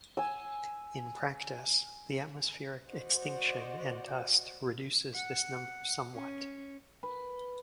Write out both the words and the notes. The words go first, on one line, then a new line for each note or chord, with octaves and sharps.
In practice, the atmospheric extinction and dust reduces this number somewhat.
G#5 E6
F#4 C5 D5 D#5 F#5
F#5
C#4
B4